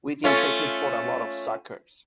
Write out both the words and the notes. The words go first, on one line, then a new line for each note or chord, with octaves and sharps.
We've been taken for a lot of suckers!
A3 C#4 F4